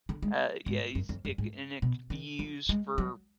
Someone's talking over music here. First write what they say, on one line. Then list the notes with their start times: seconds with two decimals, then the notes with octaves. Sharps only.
Uh, yeah, he's it c and it could be used for
0.09 D3
0.22 G#3
0.66 G#2
0.95 F#2
1.09 F2
1.25 F#2
1.38 G#2
1.82 B2
2.10 D#3
2.39 F3
2.69 G#3
2.98 F#3